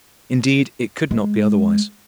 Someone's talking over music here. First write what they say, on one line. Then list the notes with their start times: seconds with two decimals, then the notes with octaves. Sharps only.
Indeed, it could not be otherwise.
1.11 G#3